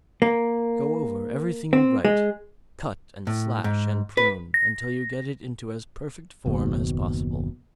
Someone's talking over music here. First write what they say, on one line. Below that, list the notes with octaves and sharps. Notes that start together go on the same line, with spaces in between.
Go over everything you write, cut and slash and prune until you get it into as perfect form as possible.
A#3
C4
G#3
A2
G#2
B4
A#6
F#1 D#2 B2